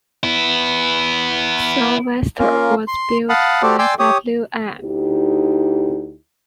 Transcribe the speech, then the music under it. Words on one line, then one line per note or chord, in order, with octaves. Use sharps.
"Salvestor" was built by Wm.
B3 E4
A#3 C#4 F4 A#4
C6
F5 F#5 A5 B5 D#6
F#4 G4 A4 C5 D5
D5 G5 G#5 C6 D6 E6
G4 C#5 D#6
D2 D#4 E4 G4